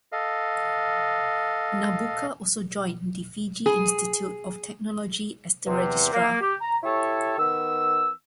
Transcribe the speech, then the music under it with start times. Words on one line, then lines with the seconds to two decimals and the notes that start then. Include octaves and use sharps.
Nabuka also joined the Fiji Institute of Technology as the Registrar.
0.12 A4 D#5 F5
3.66 G#4
5.66 E2 C3
6.13 A#3
6.41 G4
6.61 A#5
6.83 E4 G4 A4 C#5
7.38 D#3 B3 E6